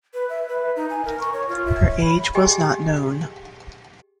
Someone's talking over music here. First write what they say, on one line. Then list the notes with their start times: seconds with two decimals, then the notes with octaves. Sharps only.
Her age was not known.
0.14 B4
0.29 E5
0.49 B4
0.76 D#4
0.90 G#5
1.05 A#4
1.21 C#6
1.33 C#5
1.49 F4
1.66 E5
1.86 C#5
2.01 B5
2.35 G4 G#4 D#5 G5 G#5